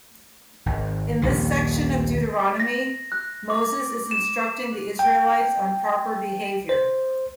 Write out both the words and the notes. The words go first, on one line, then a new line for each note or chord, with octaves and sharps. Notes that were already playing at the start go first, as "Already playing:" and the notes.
In this section of Deuteronomy Moses is instructing the Israelites on proper behaviour.
G#1
A#1 D#2 D#3
A#6
F#6
D6
E7
G5
C5